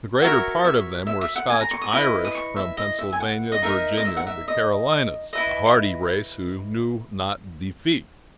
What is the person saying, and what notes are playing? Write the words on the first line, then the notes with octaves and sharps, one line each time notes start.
The greater part of them were Scotch-Irish from Pennsylvania, Virginia, the Carolinas--a hardy race, who knew not defeat.
F#4 A#4 C#5 E5
E5
E5
E5
F#5
G#5
A#5
C#6
D#6
E4 B4 D#5
D#6
C#6
E5
D#5
E5
G#5
F#5
D#5
D#4 A#4 D#5 E5
D#5
E5
F#5
E5
D#5
E4 B4 D#5 E5